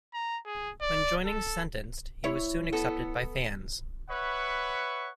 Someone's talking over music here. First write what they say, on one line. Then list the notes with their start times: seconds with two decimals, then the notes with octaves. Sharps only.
When joining Sentenced he was soon accepted by fans.
0.14 A#5
0.46 G#4
0.81 D5
1.25 A4
2.24 E4 C#5
2.72 B3 A4
4.09 B4 C#5 E5 F#5 B5 C#6